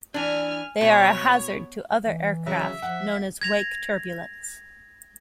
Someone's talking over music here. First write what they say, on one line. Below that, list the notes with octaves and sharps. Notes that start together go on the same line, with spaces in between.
They are a hazard to other aircraft, known as wake turbulence.
E3 D4 G#5 F6
B2 C#5
E3
C#3 F#3 E5
F3 F#5
G#6 A#6 F7